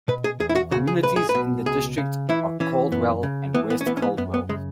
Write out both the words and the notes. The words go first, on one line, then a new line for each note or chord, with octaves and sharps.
The communities in the district are Caldwell and West Caldwell.
B2 B4
G#4
E2 G#4
E4
F#4
C#3 F#4
G#4
B1 B4
G#4
B4
B2
C#2 G#4
C#3
E3 E4
E3 C#4
F#2 B3
C#3
E3 B3
B3
C#4
E3 B3
C#4
B3
F#2 B3
B3
C#3 G#3